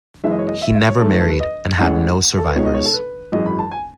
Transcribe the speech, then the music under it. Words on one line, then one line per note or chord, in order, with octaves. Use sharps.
He never married and had no survivors.
F#1 F#2 E3 G#3 E5
D#5
C#5
D#5
E5
E5
C#5
F#2 D#3 A3 A4
B4
A4
B4
D#5
A1 A2 G#3 C#4 F#5
A4
B4
C#2 B2 G#3 D#4 C#5
D#5
C#5
A4
B4
G#1 F#2 E3 G#3 D#5
B5
A5
G#5